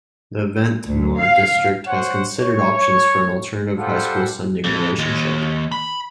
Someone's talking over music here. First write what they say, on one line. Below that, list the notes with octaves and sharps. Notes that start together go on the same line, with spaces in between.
The Ventnor district has considered options for an alternative high school sending relationship.
D2
F5
C5 C#5 F#5
C#5
G3 F4 A4 C5 F#5
F2
D#2
B5